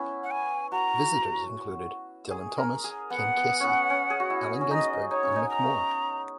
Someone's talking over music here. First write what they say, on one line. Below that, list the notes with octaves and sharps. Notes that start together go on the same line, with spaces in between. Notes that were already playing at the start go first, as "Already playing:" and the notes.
Visitors included Dylan Thomas, Ken Kesey, Allen Ginsberg and Mik Moore.
Already playing: B3 C#4 E4
F#5
G#5
F#4 A#5
G#4
A#4
G#4
B3 F#5
B3
B3 C#4
C#4
G#4
F#4
E4
C#4
D#4 D#5
D#4 C#5
C#4
D#4
A#5